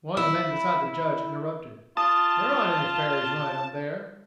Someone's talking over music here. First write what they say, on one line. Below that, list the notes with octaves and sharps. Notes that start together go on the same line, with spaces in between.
One of the men beside the Judge interrupted: "There aren't any ferries running up there."
E4
F4 A5 D#6